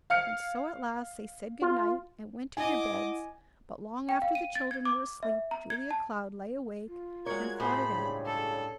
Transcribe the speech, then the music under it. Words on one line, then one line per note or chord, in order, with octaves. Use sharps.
And so at last they said "Good-night," and went to their beds; but long after the children were asleep Julia Cloud lay awake and thought it out.
F5 F6 C#7
F4
E4 D#5 F#5 G#5 D6
G5
F5
D#7
A6
G#6
D6
E5
A#5
G#6
A5
F4
G#3 F#4 A#4 C#5 G#6
A2 G#4 C5 B5
C#2 G2 C#3 C#5
A4